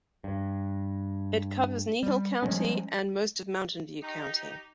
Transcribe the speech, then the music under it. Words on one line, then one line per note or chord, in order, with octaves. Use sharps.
It covers Kneehill County and most of Mountain View County.
G2
G3
F3 G3 G#3 C#4
D#4 G4